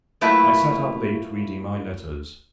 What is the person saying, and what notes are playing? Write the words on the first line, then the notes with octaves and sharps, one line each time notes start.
I sat up late reading my letters.
F#3 A3 A#3 E4 F4 B4